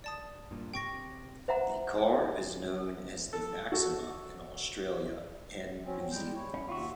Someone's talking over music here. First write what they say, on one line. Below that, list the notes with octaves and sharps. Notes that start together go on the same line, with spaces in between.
The car is known as the Maxima in Australia and New Zealand.
D5 A5 D#6
G2 A#2
C3 G5 C#6 A#6
C5 E5 F#5 A#5
A4
F#4 A4
F#3 C4 C#4
G3 G#3 G5
E4 C#5
G3 C#4 E4
D#2 D#3 F4 F#4 E5